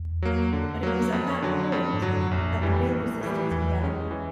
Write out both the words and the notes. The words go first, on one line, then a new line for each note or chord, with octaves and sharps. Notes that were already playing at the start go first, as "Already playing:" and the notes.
But it was at that point that the real resistance began.
Already playing: E2
F#3 A#3
D3
F#3 A#3
F2
D3 F#3
F2
G#2
G2 D3 F#3
F#2
A#1 F2
A2 E3 G3
A#1
A2 E3 G3
E2 E3
G#3 C#4
E3